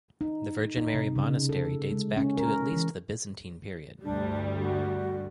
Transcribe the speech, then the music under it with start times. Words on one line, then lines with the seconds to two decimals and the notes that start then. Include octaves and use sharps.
The Virgin Mary Monastery dates back to at least the Byzantine period.
0.21 D#4
0.77 D#4
0.94 C3
1.16 C#3
1.49 A4
1.91 G#3
2.17 C#4
2.37 A#4
2.72 E3
4.04 D2 G2 G3 D4
4.59 F#4